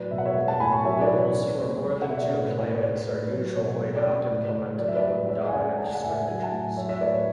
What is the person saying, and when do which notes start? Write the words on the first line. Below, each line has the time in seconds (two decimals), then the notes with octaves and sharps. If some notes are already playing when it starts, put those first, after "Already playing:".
Rules for more than two claimants are usually not implementable in dominant strategies.
Already playing: A2 F#3 B4 D5
0.11 B2 E5
0.18 F#5
0.26 C#5 E5
0.36 G#3
0.48 F#5 A5
0.60 A2 G#5 B5
0.72 A5 C#6
0.85 F#3 C#5 E5
1.01 B4 D5
1.10 B2
1.18 C#5
1.34 C#3
1.59 C#3
1.84 G#3 C#5
2.02 F#5
2.08 B2 E5
2.17 D5
2.25 C#5
2.33 A2 B4
2.48 B4
2.57 A2 C#5
2.77 D5
2.82 A2 C#5
3.07 A2 B4
3.31 F#3 C#5
3.56 B2 C#5
3.81 G#3
3.97 D5
4.05 C#3 C#5
4.30 A2
4.55 A2
4.79 F#3 D5
4.88 E5
4.95 B4 D5
5.04 A2
5.29 G#3 C#5 E5
5.49 G#5
5.53 C#3 D5 F#5
5.78 G#3 A5
5.86 G#5
5.95 F#5
6.03 A2 E5 G#5
6.27 F#3 E5 G#5
6.43 F#5 A5
6.52 A2
6.77 F#3 C#5 E5
6.89 C#5 E5
7.01 A2 B4 D5
7.14 C#5